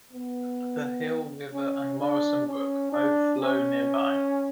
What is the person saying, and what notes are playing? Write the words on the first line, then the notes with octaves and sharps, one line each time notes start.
The Hill River and Morrison Brook both flow nearby.
B3
C#4
D4
C#4
D4
C#4